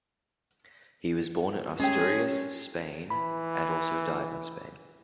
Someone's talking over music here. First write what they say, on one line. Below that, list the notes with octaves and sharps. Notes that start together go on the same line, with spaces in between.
He was born in Asturias, Spain and also died in Spain.
G#3 A3 C#4 G4 G#4 C#5
E3 B5